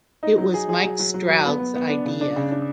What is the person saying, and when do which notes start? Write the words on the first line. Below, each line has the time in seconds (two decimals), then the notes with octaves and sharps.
It was Mike Stroud's idea.
0.23 D#4
0.38 F#3
0.54 G#4
0.69 G#4
0.83 F#3
0.99 F#3
1.14 F#3
1.29 F#3
1.45 B3
1.59 B3
1.76 B3
1.90 D4
2.05 C#3
2.21 D4
2.36 C#3
2.51 D4